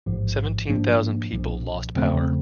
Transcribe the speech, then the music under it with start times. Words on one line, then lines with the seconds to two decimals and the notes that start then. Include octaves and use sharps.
Seventeen thousand people lost power.
0.06 A1 G#2 F3
0.69 G#2 F3 A#3 D4
1.33 B1 A#2 F3
1.95 E2 C#3 F3 A3 C4